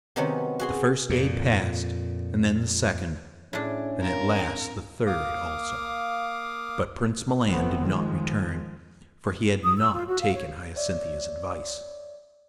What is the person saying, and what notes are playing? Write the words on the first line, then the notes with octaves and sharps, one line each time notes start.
The first day passed, and then the second, and at last the third also, but Prince Milan did not return, for he had not taken Hyacinthia's advice.
C3 D#3 F#3 B3 C#4
F#4 G#4 C6
F2 A#2
A2 C#4 D4 G#4 D5
C4 A#4 F5
A#3 F5 D6 D#6
F1 F3 A3 B3 C4
D#3 F3 G#3
D#6
E6
F4
F#4
F5
C#5
C#5 D5 E5